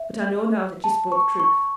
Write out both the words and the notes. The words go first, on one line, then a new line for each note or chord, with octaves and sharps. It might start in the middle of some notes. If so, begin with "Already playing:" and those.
But I know now that you spoke truth.
Already playing: E5
A5
C#6
C#6